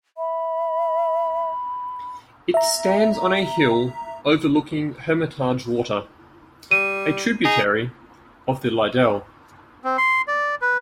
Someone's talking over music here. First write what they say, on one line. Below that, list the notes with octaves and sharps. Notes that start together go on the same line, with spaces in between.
It stands on a hill overlooking Hermitage Water, a tributary of the Liddel.
E5 B5
E5 A#5
G3 D#7
D#4 G#4
C4
C6
D5
B4